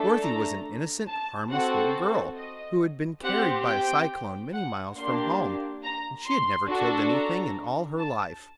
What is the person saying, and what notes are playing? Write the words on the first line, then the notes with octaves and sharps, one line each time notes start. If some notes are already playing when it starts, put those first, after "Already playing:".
Dorothy was an innocent, harmless little girl, who had been carried by a cyclone many miles from home; and she had never killed anything in all her life.
Already playing: A3 D4 A4
A#5
A5
C4 F#4 A4 F#5
D#5
C4 G4 F#5
G5
F#5
A#3 D4 G4 C6
A#5
C6
D4 F#4 A4
A#5
A5